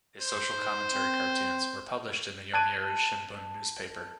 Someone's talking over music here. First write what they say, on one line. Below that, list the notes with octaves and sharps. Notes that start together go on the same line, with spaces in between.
His social commentary cartoons were published in the Yomiuri Shimbun newspaper.
C5
G#2
C4
A5 F#6 G#6 D7 D#7